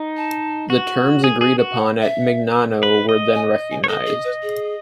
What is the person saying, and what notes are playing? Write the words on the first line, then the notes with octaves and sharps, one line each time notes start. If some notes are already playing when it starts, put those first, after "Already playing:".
The terms agreed upon at Mignano were then recognised.
Already playing: D#4
A5
F#4
G#4
G#4
F#4
F#5
E5
B4
D#5
G#5
G#5
C#5
A4 D#5
G#4
B4
G#4